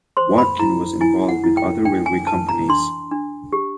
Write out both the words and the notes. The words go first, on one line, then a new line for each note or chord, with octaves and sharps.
Watkin was involved with other railway companies.
C5 C6
B5
E4 A#5
E4 G#5
F#5
E4
G5
D4 G5
G#5
B4 A5
A#5
D4 C6
D4
G4